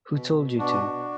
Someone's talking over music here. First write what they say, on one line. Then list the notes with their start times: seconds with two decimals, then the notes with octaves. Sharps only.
Who told you to?
0.12 B2
0.35 B2
0.58 B2 D4 F#4
0.82 B2